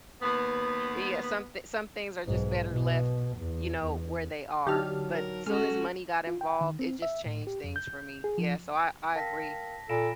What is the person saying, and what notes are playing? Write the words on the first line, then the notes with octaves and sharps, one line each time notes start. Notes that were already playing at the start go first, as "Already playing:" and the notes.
Yeah. Some thi some things are just better left, you know, where they are, but, soon as money got involved, it just changed things for me. Yeah. So I I agree
D#2 B3
B1 G#2
B2
E2
E2
D3 F#3 D#4 G4 A5 F6
A#4
G#3 C#4 F#4 A4 F6
F4
G5
D#3
C4
E5
A2
G4
F2
G6
G#4
F3
A#4 F5 G5 A5 A#6 B6
A#2 A4 F5 A#5 B5 A#6 D7 E7